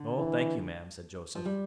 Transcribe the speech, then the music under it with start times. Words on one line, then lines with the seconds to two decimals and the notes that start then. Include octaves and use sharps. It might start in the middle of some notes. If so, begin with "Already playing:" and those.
"No, thank you, ma'am," said Joseph.
Already playing: D3
0.18 E3
1.35 F3
1.45 G3